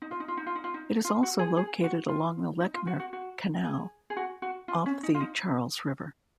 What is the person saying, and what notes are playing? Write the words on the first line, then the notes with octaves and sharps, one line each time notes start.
It is also located along the Lechmere Canal off the Charles River.
D#4
F4
D#4
F4
D#4
F4
D#4
F4
D#4
F4
F#4
G#4
G#4
F#4
F4
D#4
F4
F#4
F#4
F#4
G#4
G#4
F#4
F#4
F4
C#4
D#4
F4
D#4